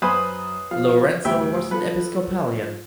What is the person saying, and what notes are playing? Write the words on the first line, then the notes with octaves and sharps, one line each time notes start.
Lorenzo was an Episcopalian.
F#2 B4 C5 G#5 D#6
F3 F5
D2 A2 G3 E5 G5
F3 A4 B4